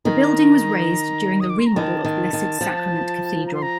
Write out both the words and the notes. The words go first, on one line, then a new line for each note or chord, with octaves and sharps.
The building was raised during the remodel of Blessed Sacrament Cathedral.
D#3 A#5
D#6
D6
C6
A#5
D#3 A5
D#3
D#3
F3
A#5
C6
A#5